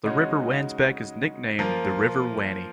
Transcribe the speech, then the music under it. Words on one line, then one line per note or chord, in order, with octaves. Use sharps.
The River Wansbeck is nicknamed the River Wanney.
C#3 G#3 D#4 F#4 C#5
F3 A#3 F4 A#4